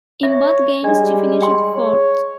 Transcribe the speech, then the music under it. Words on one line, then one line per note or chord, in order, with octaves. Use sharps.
In both Games she finished fourth.
C#5 E5
G3 G#3 D4 D5
G5 C6
C#5